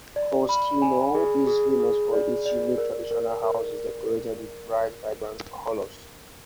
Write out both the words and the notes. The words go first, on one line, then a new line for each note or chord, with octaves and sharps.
Koskinou is famous for its unique traditional houses decorated with bright, vibrant colours.
D5
B5
G#5
G#4
G#4
G#4
D5
D5
A#4
A#4
A#4